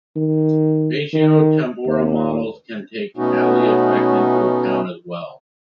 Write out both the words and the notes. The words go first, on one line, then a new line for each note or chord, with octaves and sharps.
Spatio-temporal models can take Allee effect into account as well.
D#3
D#3
D#2
B2 A3 B3 C#4 D#4 F#4